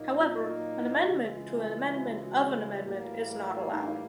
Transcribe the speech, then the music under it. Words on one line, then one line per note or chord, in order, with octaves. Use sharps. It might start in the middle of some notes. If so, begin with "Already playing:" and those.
However, an amendment to an amendment of an amendment is not allowed.
Already playing: A#2 F#3 A#3 D#4
F4
F4
E4
C#3 E3 G#3 F#4
F4
F4
E4
F#4
F4
F#4
F4
A2 E3 G3 A#3 F#4
E4
D#4
D4
D#4